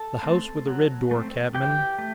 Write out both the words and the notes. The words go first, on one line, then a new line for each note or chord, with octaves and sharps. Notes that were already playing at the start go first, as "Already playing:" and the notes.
'The house with the red door, cabmin.
Already playing: A4 A5
A3 C4
F#3
A3 C4
E3 G4 G5
A3